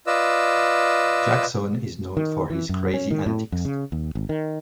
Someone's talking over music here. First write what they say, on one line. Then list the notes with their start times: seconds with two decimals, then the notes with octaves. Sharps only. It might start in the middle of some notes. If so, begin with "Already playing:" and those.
Jaxson is known for his crazy antics.
0.07 F4 B4 D5 D#5 E6
2.17 D#3
2.50 E3
2.69 F#2
2.94 C#4
3.11 D#3
3.26 A2
3.52 F2
3.65 C#3
3.92 D#2
4.15 G#1
4.29 D#3